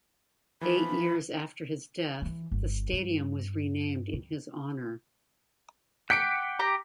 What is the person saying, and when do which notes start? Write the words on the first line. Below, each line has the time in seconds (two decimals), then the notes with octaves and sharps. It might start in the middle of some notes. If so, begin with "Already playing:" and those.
Eight years after his death, the stadium was renamed in his honor.
0.61 E3 F3 B5
2.22 D#3 E3
2.51 G1
2.92 G2
4.13 F2
6.10 F#5 G5 D6 B6 C#7 D7
6.59 G4 A#5